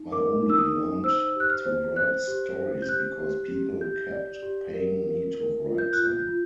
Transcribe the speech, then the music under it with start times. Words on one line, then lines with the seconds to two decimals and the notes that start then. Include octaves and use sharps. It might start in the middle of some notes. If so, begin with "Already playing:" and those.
I only learned to write stories because people kept paying me to write them.
Already playing: D#4
0.11 A#4 D6
0.42 D#4
0.50 E6
0.58 D#6
0.73 D#4
1.04 C5 E6
1.36 G4 F#6
1.50 F6
1.66 C5
1.96 C5 F#6
2.28 G4
2.58 C5
2.82 G6
2.89 G4 F#6
3.20 G4
3.51 G4
3.81 G4 G6
4.12 D5
4.43 G4
4.73 A#4
5.04 A#4
5.34 A#4
5.66 F4
5.78 G6
5.93 F4 F#6
6.05 G6
6.27 F4